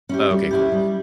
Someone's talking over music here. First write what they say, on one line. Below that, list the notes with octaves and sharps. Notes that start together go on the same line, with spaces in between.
Oh okay, cool.
C#4 E4 G4
G3
C#4 E4 G4
G3